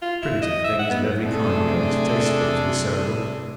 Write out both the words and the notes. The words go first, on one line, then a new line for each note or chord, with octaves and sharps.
Primitive things of every kind are distasteful to the Cerebral.
F4
E4
D#5
E5
F#5
B3
C3 A3 D4 G#4 A4